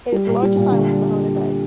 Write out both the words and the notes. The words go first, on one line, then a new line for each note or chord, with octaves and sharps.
It is the largest island in Mahone Bay.
G3
A#2
G3
A#2
D3